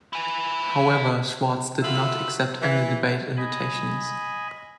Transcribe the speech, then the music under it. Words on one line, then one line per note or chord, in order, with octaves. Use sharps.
However, Schwartz did not accept any debate invitations.
E4 G#5
F4 F#4 A4 E5 B5
E3
D#5 G#5 B5